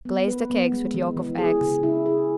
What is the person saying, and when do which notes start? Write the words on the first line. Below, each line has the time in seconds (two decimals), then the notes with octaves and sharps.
Glaze the cakes with yolk of eggs.
0.05 B3
0.28 B4
0.50 B3
0.72 G#3
0.94 E3
1.17 E3
1.39 G#4
1.61 C#3
1.83 E4
2.06 G#4